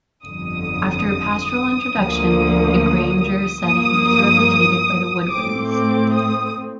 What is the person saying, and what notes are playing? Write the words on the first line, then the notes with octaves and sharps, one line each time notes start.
After a pastoral introduction, the Grainger setting is replicated by the woodwinds.
G1 F2 D3 D#6
D2 D3 F3 A#3
G2 F3 A#3 D#6
A2 A3 C4 D6
D6
D#6